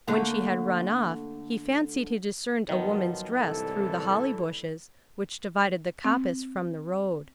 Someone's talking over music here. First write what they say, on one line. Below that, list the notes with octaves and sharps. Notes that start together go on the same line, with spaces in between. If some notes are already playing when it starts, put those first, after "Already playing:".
When she had run off he fancied he discerned a woman's dress through the holly-bushes which divided the coppice from the road.
D3 A3 A#3
G2 D#3 F3 F#3 B3 A4
C2 G#2 D3 E3 A4
C4